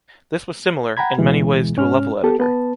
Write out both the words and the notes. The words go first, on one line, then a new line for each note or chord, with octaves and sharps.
This was similar, in many ways to a level editor.
F#5 G5 A#5 B5 G#6
D2 B2 E3 G#3
G#2 C#4 F6
B3 G4 A4 A5
B3 B4 A5